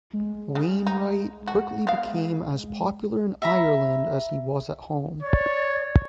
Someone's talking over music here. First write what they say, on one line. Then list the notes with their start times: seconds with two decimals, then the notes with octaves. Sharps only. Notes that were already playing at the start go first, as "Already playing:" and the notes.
Wainwright quickly became as popular in Ireland as he was at home.
0.13 G#3
0.55 C#3
0.87 D#4
1.47 F#4
1.87 B3 E4 F5
3.42 E5 A#5 B5
5.22 C#5 D5